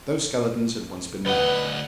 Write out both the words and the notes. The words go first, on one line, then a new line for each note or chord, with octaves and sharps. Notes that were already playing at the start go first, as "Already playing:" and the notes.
Those skeletons had once been men.
D2 B4 D#5 F#5